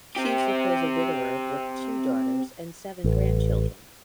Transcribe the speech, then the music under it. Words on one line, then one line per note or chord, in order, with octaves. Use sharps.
Cusick was a widower with two daughters and seven grandchildren.
C4 G4
A1